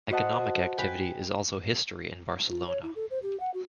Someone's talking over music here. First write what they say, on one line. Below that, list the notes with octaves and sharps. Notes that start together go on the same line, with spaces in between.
Economic activity is also history in Barcelona.
F#4 B4 C5 D#5 F#5 A5
B4 G5 G#5
F4
C#5
E4
A4
C5
G4
F#5
F#4